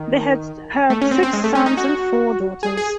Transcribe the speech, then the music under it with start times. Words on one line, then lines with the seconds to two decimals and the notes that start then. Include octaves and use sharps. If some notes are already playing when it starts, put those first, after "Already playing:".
They had had six sons and four daughters.
Already playing: D#3
0.90 A3
1.02 C#4
1.11 C4
1.23 C4
1.33 G#3
1.44 A3
1.55 C#4
1.66 D#4
1.77 F#4
2.63 G#4
2.77 G#4